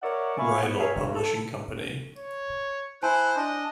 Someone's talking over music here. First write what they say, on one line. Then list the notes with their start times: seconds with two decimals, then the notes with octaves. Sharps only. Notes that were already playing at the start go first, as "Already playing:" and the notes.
Reidel Publishing Company.
0.02 A#4 C#5 D5 E5 F#5
0.39 E5 F5 G#5 B5 C#6
0.62 B3
0.79 F4 G#4 A#4 C#5 E5 F5
0.94 G2
1.15 A4
2.18 C#5
3.03 E4 C5 G#5 A5 F#6
3.36 D4 D#5